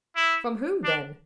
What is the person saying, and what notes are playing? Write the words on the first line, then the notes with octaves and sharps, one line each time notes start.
"From whom, then?"
E4
D4